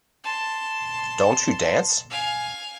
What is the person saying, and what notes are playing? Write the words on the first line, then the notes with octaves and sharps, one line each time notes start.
Don't you dance?
A5 C6
F5 G#5